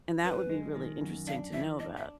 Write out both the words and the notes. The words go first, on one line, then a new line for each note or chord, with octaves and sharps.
and that would be really interesting to know about.
F#2 B4
G#3
D#3
F#2
D4 F5
E3 E5
D4 D#5
E5